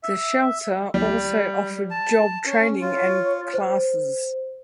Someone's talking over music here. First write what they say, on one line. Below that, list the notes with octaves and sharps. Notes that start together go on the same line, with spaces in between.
The shelter also offered job training and classes.
E5
G3
A5
C#4
F4 C#5
C5